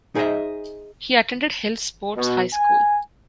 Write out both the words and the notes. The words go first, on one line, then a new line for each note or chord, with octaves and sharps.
He attended Hills Sports High School.
D#4 G#4 C5 C#5 D#5 E5
B2
G#5